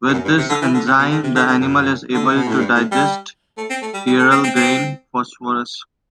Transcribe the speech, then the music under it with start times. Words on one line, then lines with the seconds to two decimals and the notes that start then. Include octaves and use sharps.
With this enzyme, the animal is able to digest cereal grain phosphorus.
0.09 G2
0.13 F#2
0.25 G2
0.37 C3
0.50 D3
0.62 E3
0.74 D3
0.86 C3
0.99 B2
1.11 D3
1.23 C3
1.36 D3
1.48 D3
1.60 F#2
2.14 D3
2.25 C3
2.36 B2
2.48 A2
2.59 G2
2.75 A2
2.92 G3
3.57 A3
3.70 C4
3.82 A3
3.94 G3
4.07 G3
4.19 A3
4.31 C4
4.44 C4
4.56 C4